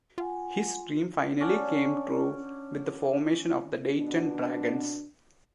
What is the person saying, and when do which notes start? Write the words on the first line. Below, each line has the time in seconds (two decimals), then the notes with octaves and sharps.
His dream finally came true with the formation of the Dayton Dragons.
0.18 F4 F#5 G#5
1.41 C#4 D4 F#5
3.95 B2 D4